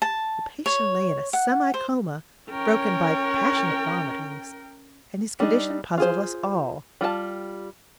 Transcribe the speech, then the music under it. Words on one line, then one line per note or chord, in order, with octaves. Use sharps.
The patient lay in a semi-coma broken by passionate vomitings, and his condition puzzled us all.
A5
C#5
F#5
C5
C#4 A#4 C#5 G5
G3 D4 D#4
F4 G#4 C5
G3 F4 G#4 A5